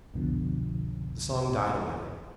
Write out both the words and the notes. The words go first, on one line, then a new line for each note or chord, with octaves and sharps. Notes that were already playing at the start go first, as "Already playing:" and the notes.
The song died away.
C2 F2 B2 D3 F3